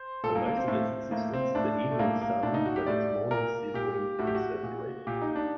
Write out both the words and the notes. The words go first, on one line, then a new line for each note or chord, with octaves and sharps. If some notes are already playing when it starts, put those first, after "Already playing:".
For most of its existence, "The Evening Sun" led its morning sibling in circulation.
Already playing: C5
A#2 A4
A#3
A#3
C4
A2
A2 A#3
C4
A2 D4
A3
A2 A#3
A#3
A2 D4
D#4
F#4
G4
A2 D5
A#2 A#4
A#2 G4
A2 F#4
G4
F#4
A#2
A#2 G4
D#4
D4